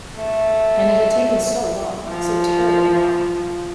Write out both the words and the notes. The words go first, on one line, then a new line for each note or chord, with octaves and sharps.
And it had taken so long — so terribly long!
A3
F3